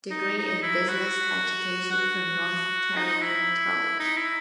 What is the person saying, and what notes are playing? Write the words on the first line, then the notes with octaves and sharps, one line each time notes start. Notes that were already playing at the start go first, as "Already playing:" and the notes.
Degree in Business Education from North Carolina College.
D#4
D#4
E4
F#4
F#4
D#4
E4
D#4
E4